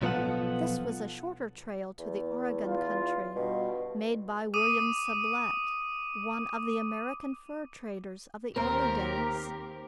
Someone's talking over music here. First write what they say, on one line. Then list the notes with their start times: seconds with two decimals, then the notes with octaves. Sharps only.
This was a shorter trail to the Oregon Country, made by William Sublette, one of the American fur traders of the early days.
0.02 B1 F3 B3 F4 A4 F#5
1.99 E2
2.65 F4
3.36 G2 B2
4.54 D6 D#6 D#7
8.56 D#2 C4 G4 A#4 A#5